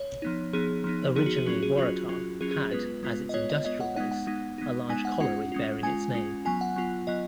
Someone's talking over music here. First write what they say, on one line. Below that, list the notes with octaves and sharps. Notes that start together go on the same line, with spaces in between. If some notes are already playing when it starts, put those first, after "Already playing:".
Originally Waratah had as its industrial base a large colliery bearing its name.
Already playing: C#5
F3 B3 D#4
F3 B3 D#4 G#4
F3 B3 D#4
F3 B3 D#4 G#4
F#4
G#4
F#3 C#4 F4 F#4
G#4
F#3 C#4 F4 F#4
F#3 C#4 F4
F#3 C#4 F4 G#4
G#4
G#3 B3 F4 B4
G#3 B3 F4
D#5
G#3 B3 F4 C#5
D#5
G#3 B3 F4 D#5
F#5
G#3 B3 D#4 F#5
F#5
G#3 B3 D#4
G#3 B3 D#4
G#3 B3 D#4 G#5
F#5
G#3 C#4 F4 F#5
G#3 C#4 F4
G#3 C#4 F4 G#5
G#3 C#4 F4
F#3 B3 F4 G#5
F#5
F#3 B3 F4
F#3 B3 F4 D#5